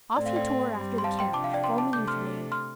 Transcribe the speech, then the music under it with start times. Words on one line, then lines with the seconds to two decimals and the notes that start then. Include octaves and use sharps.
Off he tore after the carriage, foaming with rage.
0.16 A2 A3 C4 D5
0.26 F5
0.36 D5 G5
0.75 G2 G3 C4
0.98 C6
1.04 F5 A5
1.19 G5 C6
1.33 C3 F3 D4 A5 D6
1.44 F5
1.53 D5 G5
1.63 G5 C6
1.78 A5 D6
1.93 C3 A3 D4 D6 G6
2.08 C6 F6
2.52 C6 F6